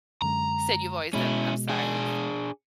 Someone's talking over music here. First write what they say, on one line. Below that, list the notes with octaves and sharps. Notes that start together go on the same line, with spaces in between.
Said you've always done I'm sorry, it's
F#2 D3 G#3 A#5
B2 G#3 C#4 E4
D4 G#4